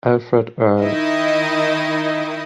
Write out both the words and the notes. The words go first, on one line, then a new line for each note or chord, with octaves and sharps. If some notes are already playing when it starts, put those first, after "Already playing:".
Alfred Earle.
D#3 D#4 E4 D#5